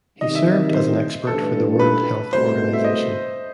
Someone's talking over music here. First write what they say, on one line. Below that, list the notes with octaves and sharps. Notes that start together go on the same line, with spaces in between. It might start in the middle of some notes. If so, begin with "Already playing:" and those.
He served as an expert for the World Health Organization.
C3 D#3 G3 D#4 D#5
E5
D#5
C5
A1 G2 E3 A3 A4
B4
C2 B2 A3 C5
E5
D#5